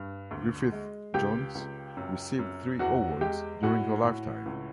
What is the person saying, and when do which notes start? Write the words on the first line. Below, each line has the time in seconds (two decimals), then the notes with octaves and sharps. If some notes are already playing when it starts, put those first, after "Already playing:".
Griffith-Jones received three awards during her lifetime.
Already playing: G2
0.31 D2
0.72 G#3
1.14 C#2 G4 G5
1.55 C#2
1.97 F#2
2.39 F#2
2.79 E2 F#4 F#5
3.21 G#3 G4 G5
3.63 A2 F#4 F#5
4.04 A2
4.46 C#2